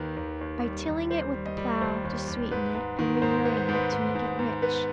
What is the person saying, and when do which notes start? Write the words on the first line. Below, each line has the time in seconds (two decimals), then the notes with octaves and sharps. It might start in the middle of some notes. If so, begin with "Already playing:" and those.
By tilling it with the plough, to sweeten it, and manuring it, to make it rich.
Already playing: D#2 D#3 B4
0.17 D#2
0.41 D#2
0.64 G3
0.88 D#2
1.10 G3 C5
1.34 G3
1.46 D#5
1.57 G3
1.74 D5
1.81 D#2 C5
2.04 D#2
2.28 D#2
2.51 G#2 B4
2.74 G#2
2.99 D#3
3.22 G#2 C5
3.45 B3
3.57 C5
3.69 G#2
3.75 B4
3.93 G#2
4.15 G#2
4.39 G#2
4.62 B3 B4